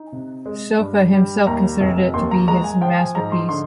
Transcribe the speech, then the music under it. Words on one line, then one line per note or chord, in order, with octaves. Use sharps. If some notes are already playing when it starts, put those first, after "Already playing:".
Sofa himself considered it to be his masterpiece.
Already playing: D#4
C3
G#3
G2
G3
D#2 A#5
F1
D#2 C6
A#5
G#3 A#5
G#5
F3 G5
G#5
G#2 A#5
C6
D3 C6